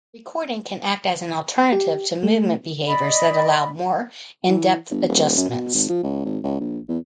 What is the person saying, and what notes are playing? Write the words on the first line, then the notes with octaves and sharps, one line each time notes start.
Recording can act as an alternative to movement behaviors that allow more in-depth adjustments.
G4
A3
D5 D#5 B5
E3
G1
D#1
F#2
B2
G#1
F3
C#2
G#1
C#2
A#1
E2